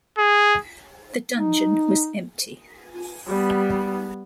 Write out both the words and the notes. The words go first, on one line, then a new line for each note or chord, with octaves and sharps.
The dungeon was empty.
G#4
D#4
G3 B3